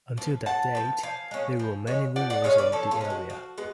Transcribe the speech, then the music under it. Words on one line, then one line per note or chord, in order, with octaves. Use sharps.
Until that date, there were many rulers of the area.
F3 B3
A2 F#5 A5
F3 B3
F3 F5 G#5
G#3 C#4
F3
G#3 C#4
F3 D5 F#5
D5 F#5
G#3 C#4 C#5 F5
B4 D5
F3 A4 C#5
F4 G#4
G#3 C#4
F#4
F3
G#3 B3